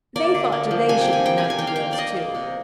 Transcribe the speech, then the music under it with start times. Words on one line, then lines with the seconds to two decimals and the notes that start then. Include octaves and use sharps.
They thought they should be nightingales too.
0.16 A#3 D5
0.34 D3
0.52 A#3
0.71 F3
0.89 C3 G#5
1.01 G5
1.07 C3
1.13 G#5
1.25 G3 G5
1.38 G#5
1.44 C3
1.50 G#5
1.59 A#3 G5
1.67 F5
1.76 A#3 G5
1.93 D5
1.98 A#3 D#5
2.17 A#3
2.35 C3